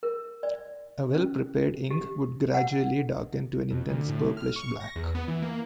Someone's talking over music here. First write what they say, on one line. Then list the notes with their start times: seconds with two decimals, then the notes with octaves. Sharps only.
A well-prepared ink would gradually darken to an intense purplish black.
0.03 A#4
0.43 D5
1.15 C#4
1.91 G4
2.54 F#5
3.70 F2
3.88 D2
4.08 A2
4.37 F6
4.56 C#6
4.80 A#6
4.96 E2
5.15 B3
5.28 E3
5.42 A#3